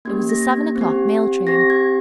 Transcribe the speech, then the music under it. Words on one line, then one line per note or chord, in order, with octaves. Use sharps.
It was the seven o'clock mail train.
A#3 C#4 G4 G#6
A#6
G#6
C4
G4
C4 G4 A#6
G#6